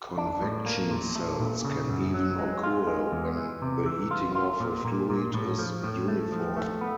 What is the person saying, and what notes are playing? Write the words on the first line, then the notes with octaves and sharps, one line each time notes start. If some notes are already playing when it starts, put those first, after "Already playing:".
Convection cells can even occur when the heating of a fluid is uniform.
D4
A2
A#3
A#2
A3
A#2
C#3
F#2
F#3
G#3
F4
G#3
E2
E3
C3
E3
F4
F4
A#2
A#2
A#2
A2
F3
A2
A3
F3
A3
B3